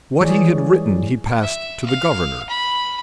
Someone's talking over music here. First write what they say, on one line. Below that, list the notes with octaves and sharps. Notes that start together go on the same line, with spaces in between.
What he had written he passed to the governor.
E3 G3 G#3 G#4 C#5 D5
E5
F5
B5